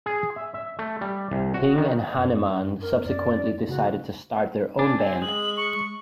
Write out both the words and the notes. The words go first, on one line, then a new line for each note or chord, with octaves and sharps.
King and Hanneman subsequently decided to start their own band.
G#4
E5
E5
A3
G3
C2
F#4
D#3
F#2
A#4
F#2 D5
C#3 F#4
D4 G#5
C4 G#5
G#3 F#7
C#6